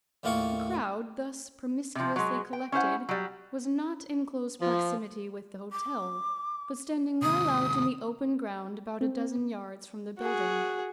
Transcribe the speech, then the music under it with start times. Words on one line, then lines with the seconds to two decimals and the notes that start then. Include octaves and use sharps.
The crowd, thus promiscuously collected, was not in close proximity with the hotel; but standing well out in the open ground, about a dozen yards from the building.
0.23 D#2 A2 A#3 F4 A#4 C#6
1.95 C3 F3
2.16 F#3 G#3
2.53 G5
2.72 C#4 E4 C5 F#5
3.09 F#3 G3
4.60 F3
5.72 D6
7.22 D#2 C3 D#6
9.01 C4
10.19 F#4 G#4